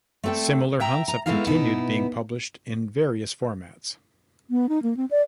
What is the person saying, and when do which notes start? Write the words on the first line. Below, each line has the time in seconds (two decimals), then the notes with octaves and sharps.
Similar hunts have continued being published in various formats.
0.24 A3 C4 A4 D5 G5
0.80 E5 G5 A#5
1.08 A#5
1.26 G#3 A3 B3 E4 A#4 F5
1.47 B2 B3 D#4 E4
4.50 B3
4.69 D#4
4.83 A#3
4.97 C4
5.11 D5